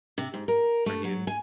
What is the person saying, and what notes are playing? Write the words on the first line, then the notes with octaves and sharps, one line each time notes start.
for you.
C3
G#2
A#4
A3
F#3
G#5